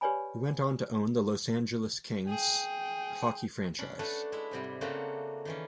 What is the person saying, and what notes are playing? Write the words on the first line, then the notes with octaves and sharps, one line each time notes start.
He went on to own the Los Angeles Kings hockey franchise.
G4 B4 C#5 D5 G#5 B5
G#4 G5
C#4 D4 B5
A3 D4 F#4 A4 B4 C#5
G#3 E4 E5
G#2 C3 G3
C#3 A3 A#3 C4 D4 F#4
D#3 E3 C#4